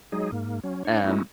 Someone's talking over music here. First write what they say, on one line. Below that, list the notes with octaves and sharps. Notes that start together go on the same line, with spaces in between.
t um,
F#3 G#3 D#4 G#4
G#2 A#3
F#3 C#4
D4 C#5
A3 C#4 D#4 E4 F#4